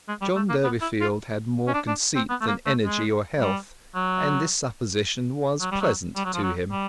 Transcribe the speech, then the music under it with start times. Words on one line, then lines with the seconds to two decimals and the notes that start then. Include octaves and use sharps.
John Durbeyfield had more conceit than energy or health, and this supposition was pleasant to him.
0.08 G#3
0.21 G3
0.36 A3
0.49 A#3
0.63 B3
0.81 E4
1.01 F4
1.68 C#4
1.74 D4
1.87 D4
2.16 C4
2.30 B3
2.41 A3
2.47 A#3
2.66 A3
2.85 G#3
3.39 G3
3.95 F#3
5.61 F#3
5.71 G3
5.81 F#3
6.16 G3
6.25 F#3
6.34 F3
6.43 F#3
6.71 G3